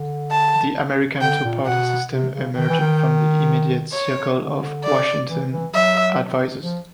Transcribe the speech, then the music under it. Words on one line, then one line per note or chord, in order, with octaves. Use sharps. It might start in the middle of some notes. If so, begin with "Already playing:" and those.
The American two party system emerged from the immediate circle of Washington advisers.
Already playing: D3
A5
D3 G5
A#2
B2 F#5
C3
C#3
D#3 G5
E3
D#3
C#5
D3
D5
E3
E3
F#3 E5
F3